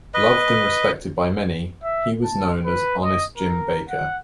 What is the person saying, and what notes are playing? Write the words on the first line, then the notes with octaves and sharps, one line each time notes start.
Loved and respected by many, he was known as "Honest Jim Baker".
B4 D#5
E5
A5
B4
D#5
A#4
F#5